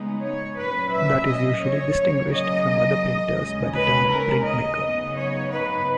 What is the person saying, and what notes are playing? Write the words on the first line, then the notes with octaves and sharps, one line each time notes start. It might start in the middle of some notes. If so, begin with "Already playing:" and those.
That is usually distinguished from other printers by the term printmaker.
Already playing: C#3 G#3 B3 D#4
C#5
A#2 F#3 C#4 B4
E5
D#5
C#5
C#3 F#3 A#3
D#5
D#2 C#3 G#3 C#4
B4
A#4
D#5
C#3 F#3 B3 D#4
C#5
B4